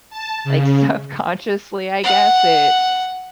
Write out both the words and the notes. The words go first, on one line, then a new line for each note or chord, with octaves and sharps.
like, subconsciously, I guess it
A5
C#3
F#5